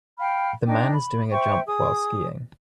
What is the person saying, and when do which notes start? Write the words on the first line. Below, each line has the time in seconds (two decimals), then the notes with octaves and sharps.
The man is doing a jump while skiing.
0.18 F5 G5 B5 F6
0.66 D4 D#4 G5
0.93 B5
1.31 C5 E5 G5 C#6
1.66 G#4 D#6